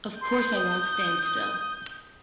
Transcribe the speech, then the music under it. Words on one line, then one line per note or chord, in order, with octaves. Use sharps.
Of course I won’t stand still.
C6 G6
D#6